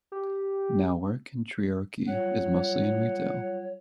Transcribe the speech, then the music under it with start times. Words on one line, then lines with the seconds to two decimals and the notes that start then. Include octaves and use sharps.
Now work in Treorchy is mostly in retail.
0.12 G4
2.08 F#3 G3 F4 C#5 F#5